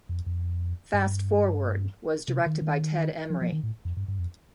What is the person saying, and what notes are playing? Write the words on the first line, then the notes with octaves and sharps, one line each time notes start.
"Fast Forward" was directed by Ted Emery.
F2
F2
G2
C3
D#3
D#3
F3
F3
D#3
A2
F2
G2
G2
F2